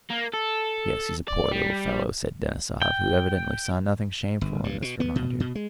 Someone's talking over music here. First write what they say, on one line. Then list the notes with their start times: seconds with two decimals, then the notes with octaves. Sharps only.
"Yes, he's a poor little fellow," said Denisov, who evidently saw nothing shameful in this reminder.
0.10 A#3
0.33 A4
1.28 D5
1.52 G3
2.82 G5
4.41 G1
4.64 G2
4.82 B2
5.00 B3
5.16 B2
5.40 B2
5.55 G#3